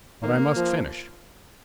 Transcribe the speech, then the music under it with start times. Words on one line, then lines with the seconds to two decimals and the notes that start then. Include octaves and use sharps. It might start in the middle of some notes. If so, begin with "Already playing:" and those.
But I must finish.
0.23 D#3 A#3
0.56 F3